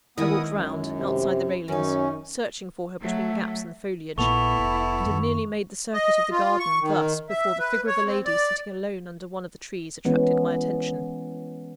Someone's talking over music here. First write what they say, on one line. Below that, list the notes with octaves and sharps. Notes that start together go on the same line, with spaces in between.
I walked round, outside the railings, searching for her between gaps in the foliage; and had nearly made the circuit of the garden thus, before the figure of a lady sitting alone under one of the trees, attracted my attention.
D#3 G#3 B3 E4 A#4 C#5 D#6
F#2
C3
F#2 D#3 C#4 D#4
F#3 A3
A#1 A#2 A#3 B3 E4 A4 C#6 F7
F1
F#2 D#3
D#5
F4
C#6
D#3
E5
B4
C#5
C4
D5
E3 G#3 B3 C#4